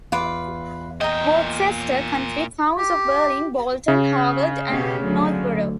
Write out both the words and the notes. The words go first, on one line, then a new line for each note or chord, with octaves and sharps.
Worcester County: Towns of Berlin, Bolton, Harvard, and Northboro.
E2 F4 B4 D6
A#2 D#5 G5 A#5
G4
C#3
B2 C#4 G4
D2 D3 F#3